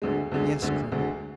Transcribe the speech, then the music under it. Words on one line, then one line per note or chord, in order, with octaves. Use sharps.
"Yes, colonel."
D2 D3 G#3
D2 D3 G#3
D2 D3 G#3
D2 D3 G#3